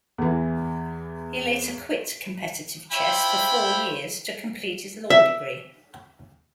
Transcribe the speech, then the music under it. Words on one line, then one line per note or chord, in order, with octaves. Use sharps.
He later quit competitive chess for four years to complete his law degree.
E2 E3
E4 F4 C5 G5 B5
E5